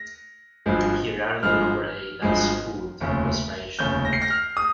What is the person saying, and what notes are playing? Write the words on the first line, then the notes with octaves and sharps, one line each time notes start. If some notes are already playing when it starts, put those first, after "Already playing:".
He rarely over ate as food was rationed.
Already playing: A#6
G#1 G2 F3 G#3
G#1 G2 F3 G#3 F6
G#1 G2 F3 G#3
F1 D#2 C#3
F1 D#2 C#3 G6
A#6
C7
A#6
F6
D#6